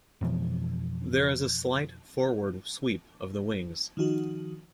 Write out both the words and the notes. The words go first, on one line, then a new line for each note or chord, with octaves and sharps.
There is a slight forward sweep of the wings.
F2 B2 E3 F3
D#3 F3 D#4 F#4